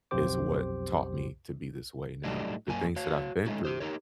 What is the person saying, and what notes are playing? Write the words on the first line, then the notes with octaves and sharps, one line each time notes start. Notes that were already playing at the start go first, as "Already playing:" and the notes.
is what taught me to be this way now, the things that I've been through,
B1 F2 G4 C5 D6
A2 F#3 G3 A3 D4 D#4
F#2 A#2 A#3 G#5
F#4 C#5 F5
D3 G#3 A3 C#4 D#4 F#4
G4 C5
D#4 G4 A#4 C#5